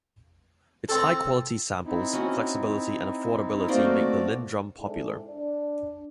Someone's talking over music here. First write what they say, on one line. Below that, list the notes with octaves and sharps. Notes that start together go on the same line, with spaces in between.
Its high-quality samples, flexibility and affordability made the LinnDrum popular.
C4 A4
C4 D#4 E4
C#4 F#4
A3 A#3 C4 D#4 F#4 D5
G#2 C4 D4 E4 G#4 A4
D4